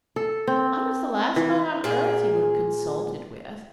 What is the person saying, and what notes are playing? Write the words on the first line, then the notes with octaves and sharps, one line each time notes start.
I was the last man on earth he would have consulted with.
A4
C4
E3
A#2 G#4